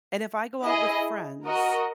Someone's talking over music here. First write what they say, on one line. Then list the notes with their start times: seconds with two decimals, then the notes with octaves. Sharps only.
and if I go out with friends,
0.64 E4 G#4 D#5
1.45 F#4 A#4 D#5